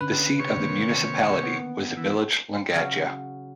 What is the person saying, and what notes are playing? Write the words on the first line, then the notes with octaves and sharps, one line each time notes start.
The seat of the municipality was the village Langadia.
D3 C#4 D4 B4
C3 C#5 C#6
D#3 A#3
B3
E3
C#3 F#3